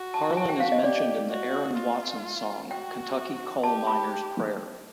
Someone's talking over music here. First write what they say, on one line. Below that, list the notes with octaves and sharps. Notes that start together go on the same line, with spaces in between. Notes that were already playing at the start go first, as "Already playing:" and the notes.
Harlan is mentioned in the Aaron Watson song "Kentucky Coal Miner's Prayer".
Already playing: F#4
A5
G#5
G5
F5
D#5
G4 D5
F#4
F4
F#4 G5
G4 A5
B5